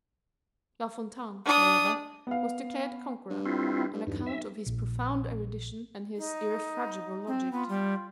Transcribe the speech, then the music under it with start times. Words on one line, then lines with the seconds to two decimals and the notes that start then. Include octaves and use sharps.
La Fontaine, however, was declared conqueror, on account of his profound erudition and his irrefragable logic.
1.45 D4 D#6
2.27 B3 F5
3.30 G2
3.46 C4 E4 F4
3.93 G2
4.07 B1 E2 G2
4.26 E5
4.66 A#1
6.17 D#4
7.27 C4
7.52 B3 F4
7.69 G3